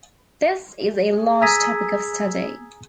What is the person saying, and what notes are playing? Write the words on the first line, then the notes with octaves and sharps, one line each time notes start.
This is a large topic of study.
G#4
G#5 A#5 D#6 E6 G#6 B6